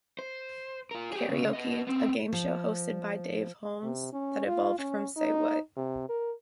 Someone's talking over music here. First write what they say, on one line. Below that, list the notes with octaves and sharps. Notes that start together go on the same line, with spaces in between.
Karaoke", a game show hosted by Dave Holmes that evolved from "Say What?
C5
F4 A#4
G4 G#4
D2 C#3
B3 D#5
B3 C4
F3
C3
C#4
F4
C#4
D#4
C3
A#4